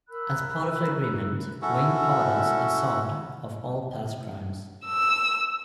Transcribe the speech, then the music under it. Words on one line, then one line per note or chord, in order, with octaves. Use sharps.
As part of the agreement, Wayne pardons Assad of all past crimes.
A#4 B5 E6 F#6
C#4 E4 F#4 A4
E6